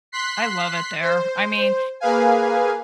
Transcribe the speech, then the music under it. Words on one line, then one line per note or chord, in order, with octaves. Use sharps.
I love it there, I mean
C6 F#6 B6 C7
C5
A#3 G#4 B4 F5 G#5